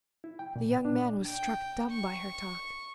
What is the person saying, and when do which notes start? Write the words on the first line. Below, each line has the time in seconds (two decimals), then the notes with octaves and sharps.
The young man was struck dumb by her talk.
0.24 E4
0.39 G5
0.56 A#2
0.85 D4
1.26 G5
1.92 C#6